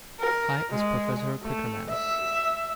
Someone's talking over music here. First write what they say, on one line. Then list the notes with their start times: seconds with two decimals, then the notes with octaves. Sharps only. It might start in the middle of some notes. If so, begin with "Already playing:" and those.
High as Professor Quakermass.
0.20 A#4
0.71 G#3
1.43 A3
1.90 E5